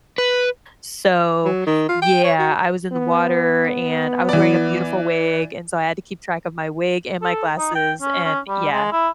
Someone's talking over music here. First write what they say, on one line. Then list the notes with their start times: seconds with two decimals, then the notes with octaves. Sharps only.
So, yeah, I was in the water, and I was wearing a beautiful wig, and so I had to keep track of my wig and my glasses and, yeah.
0.18 B4
1.45 F#3
1.67 D#3
1.89 F4
2.02 G5
2.24 C#5
2.39 F#4
2.92 B3
4.29 E3 D5
7.22 A4
7.58 D#4
7.75 G5
8.01 C#4
8.25 C#4
8.48 G3
8.72 G#3
8.92 E4